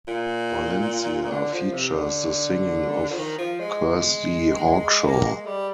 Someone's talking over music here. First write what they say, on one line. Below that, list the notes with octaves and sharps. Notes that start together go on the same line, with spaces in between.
"Valencia" features the singing of Kirsty Hawkshaw.
A#2
D3
F3
C3
D3
F3
D#3
F3
G#3
A#3
G#3
G3